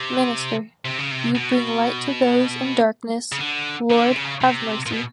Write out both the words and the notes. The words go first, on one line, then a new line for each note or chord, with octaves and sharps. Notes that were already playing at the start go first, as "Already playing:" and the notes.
Minister: You bring light to those in darkness: Lord, have mercy.
Already playing: C3
C3
C#3
C3
B2
C#3
D3
D3
C3
C#3
C3
A#2
B2